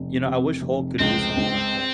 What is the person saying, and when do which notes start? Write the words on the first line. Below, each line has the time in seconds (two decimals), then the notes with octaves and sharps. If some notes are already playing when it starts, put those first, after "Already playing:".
You know, I wish Hulk could do something like that.
Already playing: F1
0.24 C3
0.61 F1
0.99 C#2 C4
1.37 C#2